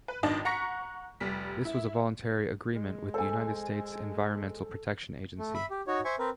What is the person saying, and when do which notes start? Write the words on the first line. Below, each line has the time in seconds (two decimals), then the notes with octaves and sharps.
This was a voluntary agreement with the United States Environmental Protection Agency.
0.08 B4
0.23 G#1 D#3 D4 D#5 A5
0.45 F#5 A#5 C#6 A#6 B6 C#7
1.20 F1 G3 B6
1.65 E4
2.76 G#3
3.14 A4 C5 G#5
5.39 A3
5.54 E5 B5
5.70 G4
5.87 D#4 F#4 C#5
6.05 C5 E5 G#5 C#6
6.19 C4 A#4 B4